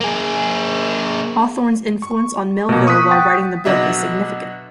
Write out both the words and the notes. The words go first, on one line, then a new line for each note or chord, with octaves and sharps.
Hawthorne's influence on Melville while writing the book is significant.
A#3 G#4
C#6
B2 A#3
C#6 D#6 F#6 B6
F#5 G5 C#6 A6 B6
B2 D3 F#3 E5